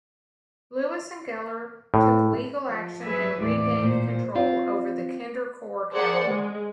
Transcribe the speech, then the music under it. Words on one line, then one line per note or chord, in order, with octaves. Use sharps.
Lewis and Geller took legal action and regained control over the Kindercore catalog.
A2
F3
F#3 G#4 B4 E5
D#2 A2 E3 G3 A3 D5
A#2 C5
C4 F4
G#4 A#4 C5 D5 F#5
G#3